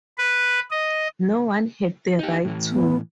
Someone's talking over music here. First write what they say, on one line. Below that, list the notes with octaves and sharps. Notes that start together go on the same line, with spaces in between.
No one had the right to.
B4
D#5
D#4 G4
A2 E3
B3